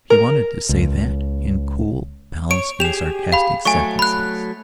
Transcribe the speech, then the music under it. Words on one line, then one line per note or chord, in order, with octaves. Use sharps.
She wanted to say that in cool, balanced and sarcastic sentences.
A#4
C#2
C#5 D7
G4 G#4 E7 F7
F5 B5
F#3 A3 G#5 C#6
B5 F#6